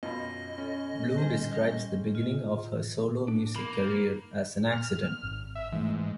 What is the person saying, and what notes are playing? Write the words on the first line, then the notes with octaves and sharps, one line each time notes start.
Blue describes the beginning of her solo music career as an accident.
F#2 B2 F4 D#5
C#4 A4
G3 G4 C5 G#5
F4 D#5
D4
A#3 B5
F6
G#1
E5
G#2 E3 A3